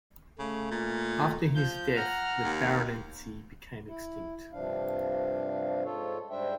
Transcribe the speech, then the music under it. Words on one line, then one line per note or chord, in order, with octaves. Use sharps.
After his death the baronetcy became extinct.
C#3 A3
A#2
F3 G6
F#5 A#5 F6
D#2
E4
G2 C3 F3 D4 F5
G#2 F4 A4 C#5
G#2 G3 D4 C5 E5 G5